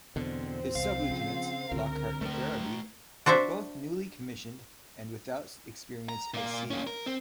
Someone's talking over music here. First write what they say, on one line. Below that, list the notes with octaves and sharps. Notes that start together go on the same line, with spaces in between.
His sub-lieutenants, Lockhart and Ferraby, are both newly commissioned and without experience at sea.
E2 B2 D3 C4
C2 F5
C#3 F3
C#2 D3 C4 A#4
D2 A3 B4
D4 F#4 C5 D5 E5
A#5
A#2 A#3
A#3 C#4
A#4
C4